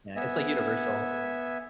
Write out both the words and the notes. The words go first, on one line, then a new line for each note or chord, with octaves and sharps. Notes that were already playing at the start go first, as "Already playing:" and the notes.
Yeah, it's like universal.
B3 E5 G#5